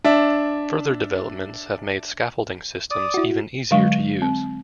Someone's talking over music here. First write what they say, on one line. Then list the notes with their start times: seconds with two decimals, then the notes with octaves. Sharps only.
Further developments have made scaffolding systems even easier to use.
0.04 D4 E5
2.91 D5 D#6
3.14 E4 F#4
3.71 D3 F#3 G#3 F5 C#6
4.22 C4